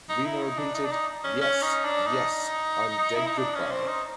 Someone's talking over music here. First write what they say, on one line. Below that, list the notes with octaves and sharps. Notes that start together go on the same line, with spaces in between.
Reno repeated, Yes, yes, I'm dead-good-by!
D#4
E4
D#4
D4
D#4
D4
D#4
C#4
C#4
D#4
D4
D#4
E4
D#4
D4
C#4
C4
D#4